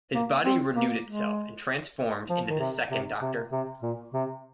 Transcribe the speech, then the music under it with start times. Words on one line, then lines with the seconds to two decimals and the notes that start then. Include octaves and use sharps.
His body renewed itself and transformed into the Second Doctor.
0.14 A#3
0.45 C4
0.76 A#3
1.06 G#3
2.29 F3
2.50 D#3
2.60 C3
2.91 C3
3.22 C3
3.52 C3
3.82 A#2
4.14 C3